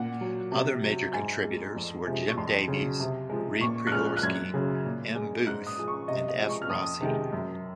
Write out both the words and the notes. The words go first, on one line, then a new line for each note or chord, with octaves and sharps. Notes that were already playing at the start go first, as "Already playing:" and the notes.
Other major contributors were Jim Davies, Reid Priedhorsky, M. Booth, and F. Rossi.
Already playing: A#2 F#5
F#3
C3
F#3
G#2 G#5
F3 G#3
F2
C3 F3 G#3
C#6
F2 C6
C#3 F#3
C3
F3 G#3
A#2 C#6
F#6
F3 G#3 F6
F#6
F#2 G#6
C#3 F#3
A#2
G#3
G#2 F#6
D#6
F3 G#3
C#6
C3 D#5
D#5
F3 G#3
C#6
F6
F2 D#6
C3 D#3 G#3
F#2